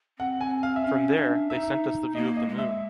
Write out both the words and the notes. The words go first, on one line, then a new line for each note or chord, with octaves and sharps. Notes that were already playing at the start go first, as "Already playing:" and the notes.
From there, they sent us the view of the Moon.
C4 F#5
G#5
F5
E5
C#4 F5
D4 E5
D#4 E5
A#3 D#5
D#5
G#3
E5